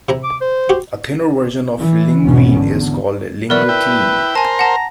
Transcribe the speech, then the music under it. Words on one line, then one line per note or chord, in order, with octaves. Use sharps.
A thinner version of linguine is called linguettine.
C3 E4 A#5
D6
C5
F#4 G4
E3
G#1 E2 B2 B3 C#4
E2 D3
E3 F#3 A#4 B4 D5
E4 G5
A#4 C5 G#5 A5
F#5 A5 A#5